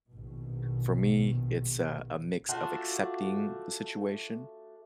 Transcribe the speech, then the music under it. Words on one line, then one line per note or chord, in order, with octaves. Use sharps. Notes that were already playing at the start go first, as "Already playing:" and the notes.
For me, it's, uh, a mix of accepting the situation,
A#1 B2 D#3
A3 D4 F4 F#4